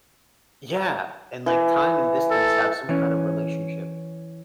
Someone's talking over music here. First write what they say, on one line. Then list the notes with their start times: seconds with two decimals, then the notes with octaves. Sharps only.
Yeah, and, like, time and distance have some kind of relationship.
1.46 E3
2.31 A4
2.89 E3 C#4